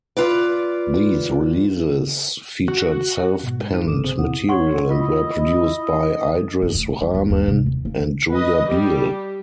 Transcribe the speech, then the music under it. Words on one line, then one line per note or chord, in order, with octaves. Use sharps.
These releases featured self-penned material and were produced by Idris Rahman and Julia Biel.
F4 B4 D5
F#4
G#2 B2
G#3
D#4 F6 D#7
G1 G#2 A4 D6 D#6 E7
A1 C3 C4 G#4 C5 D#6
D#2 B2 C4 E4 F#5 D#6
C#5 F#5 C6 C#6
E4 F4 D#5
F#1
A2
G3
D#2
D#2
C3
D#2
A#3
B4 D#5
G3 G4